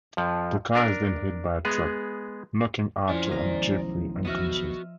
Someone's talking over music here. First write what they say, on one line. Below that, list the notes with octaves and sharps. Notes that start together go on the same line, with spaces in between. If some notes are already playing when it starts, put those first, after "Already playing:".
The car is then hit by a truck, knocking Arthur and Jeffrey unconscious.
F2 F3
D4 A#4
G#3 B3 G#4
F2 F3 C#4 E4 C5 D5 G#5 A5
B1 D#3 G#3 D#5 A#5 D#6
B3 F#4 D#5 E5 F6